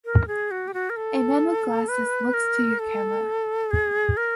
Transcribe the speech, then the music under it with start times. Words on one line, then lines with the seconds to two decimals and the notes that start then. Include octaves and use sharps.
A man with glasses looks to your camera.
0.05 A#4
0.28 G#4
0.51 F#4
0.68 G4
0.74 F#4
0.90 A#4
0.96 A4
1.88 B4
2.34 A#4
2.79 A4
3.71 G#4
4.17 A#4